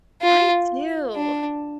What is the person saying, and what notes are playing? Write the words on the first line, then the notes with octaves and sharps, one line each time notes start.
I do.
F4
D4